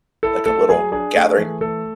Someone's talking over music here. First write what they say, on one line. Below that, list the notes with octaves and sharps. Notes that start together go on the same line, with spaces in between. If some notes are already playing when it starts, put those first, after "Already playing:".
Like a little, gathering,
E4 A4
A3 A4
F#3 G#4
D4 G#4
A3
E3
A3 A4